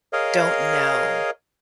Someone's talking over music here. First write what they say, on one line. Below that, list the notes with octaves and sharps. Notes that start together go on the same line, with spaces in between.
don't know
G#4 A#4 C#5 D#5 F5